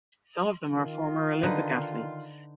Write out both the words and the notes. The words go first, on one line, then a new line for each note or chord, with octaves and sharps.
Some of them are former Olympic athletes.
D#3 F4
D3 D#4 B4